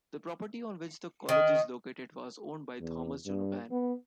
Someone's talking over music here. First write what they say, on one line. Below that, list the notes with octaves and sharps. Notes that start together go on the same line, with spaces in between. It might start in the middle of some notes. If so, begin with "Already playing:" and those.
The property on which the College is located was owned by Thomas Donovan.
D#3
E2
G2
B3